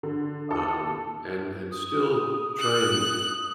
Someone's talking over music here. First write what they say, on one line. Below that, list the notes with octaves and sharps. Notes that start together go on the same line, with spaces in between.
um, and and still try and
D3
A4
D#6
F#6